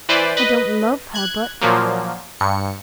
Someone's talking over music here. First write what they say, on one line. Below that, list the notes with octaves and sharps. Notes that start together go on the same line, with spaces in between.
I don't love her, but...
E3 B4 C5 D5
B4 D#5
F#6 G#6
A#2 F3 F#3 A#3
G2 C#7